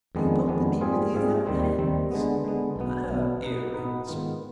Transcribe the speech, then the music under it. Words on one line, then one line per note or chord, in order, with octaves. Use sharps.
"He put them in with his own hands." HER ear-rings!
F2 D#3 G#3 B3 D4
F2 D#3 G#3 B3 D4
G#2 G3 C4 F4 G#4
G#2 G3 C4 F4 G#4
D#2 D#3 G3 C4
D#2 D#3 G3 C4
D3 G#3 B3
D3 G#3 B3
B1 B2 B3
B1 B2 B3
B2 B3 D#4 B4
B2 B3 D#4 B4
G#2 D#3 B3 F4